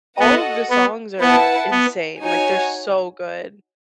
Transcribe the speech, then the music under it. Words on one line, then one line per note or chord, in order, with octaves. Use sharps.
all of the songs are insane, like, they're so good.
B3 F#4 A4 D#5 F#5
B3
B3 E4 B4 F#5 A5
B3
D#4 F#4 C#5 G#5